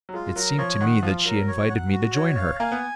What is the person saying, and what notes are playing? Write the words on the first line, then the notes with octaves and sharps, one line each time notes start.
It seemed to me that she invited me to join her.
F#3
G#3 F4
F#3 A#4
F3 C#5
D#3 F#5
F3 F4
F#3 A#4
C#5
F#5
F#4
C#5
F5
A#3 G#5
B3